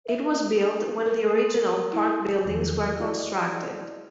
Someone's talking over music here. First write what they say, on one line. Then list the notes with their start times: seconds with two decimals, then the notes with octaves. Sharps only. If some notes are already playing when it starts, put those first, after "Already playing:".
It was built when the original park buildings were constructed.
0.08 E5
1.06 A#4
1.54 A#4
1.93 E4
2.45 E2 D#3 F3 F#3
2.99 E4 F#4 G#4 D5 D#5